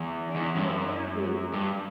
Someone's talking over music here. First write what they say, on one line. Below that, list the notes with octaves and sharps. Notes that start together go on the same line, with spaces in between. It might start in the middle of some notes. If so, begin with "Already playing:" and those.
There's no fear of me.
Already playing: E2
E2
G2
F#2
G2